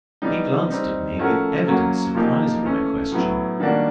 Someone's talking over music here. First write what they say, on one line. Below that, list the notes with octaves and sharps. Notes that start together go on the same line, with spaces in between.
He glanced at me with evident surprise at my question.
E3 G3 B3 D#4
G3 C4 D#4
F3 A3 C#4 F#4 A#4
F#3 A#3 C#4 F#4
A#2 F3 A#3 D#4 G4
E3 A3 C#4
A2 F#3 B3 E4
D#3 G3 A#3 D4 F#4